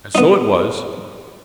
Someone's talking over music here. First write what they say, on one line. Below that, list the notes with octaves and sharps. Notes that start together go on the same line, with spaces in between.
And so it was.
B3 D#4